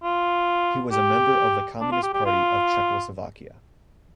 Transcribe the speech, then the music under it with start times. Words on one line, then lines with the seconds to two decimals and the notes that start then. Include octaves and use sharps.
He was a member of the Communist Party of Czechoslovakia.
0.03 F4
0.92 G4
1.81 D4
1.92 F4
2.03 G4
2.14 G4
2.25 F4